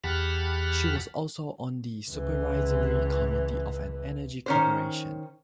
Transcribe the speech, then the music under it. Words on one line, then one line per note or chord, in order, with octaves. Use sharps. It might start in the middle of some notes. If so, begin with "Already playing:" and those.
She was also on the supervisory committee of an energy corporation.
E2 G4 F#5 A5 B5 F6
C#2 E3
D#3 C#4 C5